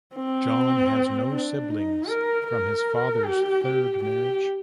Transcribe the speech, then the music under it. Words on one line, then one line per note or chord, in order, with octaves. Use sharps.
John has no siblings from his father's third marriage.
C4
D4
D#4
A#4
A#4
G4
G4
G4